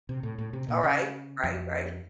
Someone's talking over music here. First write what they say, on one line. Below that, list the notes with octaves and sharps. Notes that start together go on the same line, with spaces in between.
Alright. Right, right.
C3
A2
A2
C3
A#2
C#3
F2